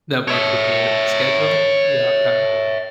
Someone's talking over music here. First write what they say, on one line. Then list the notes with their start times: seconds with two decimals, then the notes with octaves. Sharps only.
that works with your schedule, do you have time for that?
0.28 C#5 E5